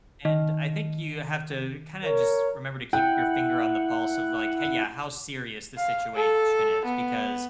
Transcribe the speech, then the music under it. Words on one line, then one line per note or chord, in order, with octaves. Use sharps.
And I think you have to kinda just remember to keep your finger on the pulse of, like, hey, yeah, how serious the situation is, because
D#3
A#4 C#5
E4 F#5 G5
F5
A4
B3